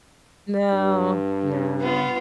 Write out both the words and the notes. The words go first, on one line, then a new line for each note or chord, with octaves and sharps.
No, no.
G2
B3 F4